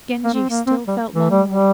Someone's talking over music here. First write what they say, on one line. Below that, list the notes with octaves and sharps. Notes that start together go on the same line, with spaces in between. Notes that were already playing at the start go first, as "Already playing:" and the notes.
Genji still felt lonely.
A#3
C4
A#3
C4
G3
E3
G3
G3